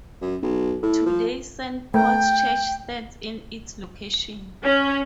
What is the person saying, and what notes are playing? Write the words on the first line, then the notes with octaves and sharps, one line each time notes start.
Today Saint Paul's Church stands in its location.
F#2
B1
A2
F3
A3 A#4 G5
C#4